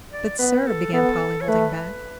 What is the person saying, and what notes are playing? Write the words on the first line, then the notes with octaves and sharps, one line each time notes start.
"But, sir--" began Polly, holding back.
D5
B3 B4
A4
B3 A4
C#5
A3 B4